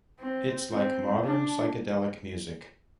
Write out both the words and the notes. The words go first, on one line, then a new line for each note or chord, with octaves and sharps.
It's like modern psychedelic music.
C4
C4
D4